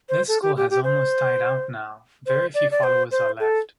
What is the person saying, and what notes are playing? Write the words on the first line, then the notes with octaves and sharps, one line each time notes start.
This school has almost died out now; very few followers are left.
C5
A4
G4
G4
G4
C5
C5
D5
D5
C5
C5
A4